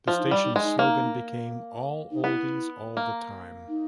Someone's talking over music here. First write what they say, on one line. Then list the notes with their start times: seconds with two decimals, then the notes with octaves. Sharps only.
The station's slogan became "All Oldies, All The Time".
0.07 F3 F4
0.19 D#4
0.25 E4
0.31 G3
0.44 D#4
0.56 G#3
0.62 D#4
0.79 A#3
2.11 D#4
2.24 B3 E4
2.97 A#3
3.69 D#4